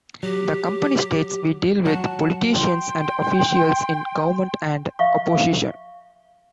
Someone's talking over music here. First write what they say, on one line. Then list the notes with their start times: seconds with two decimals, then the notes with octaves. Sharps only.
The company states, We deal with politicians and officials, in government and opposition.
0.23 F#3 G4
1.86 F#3 F#4 A5
2.53 G5 C6
4.99 E5 F5 C#6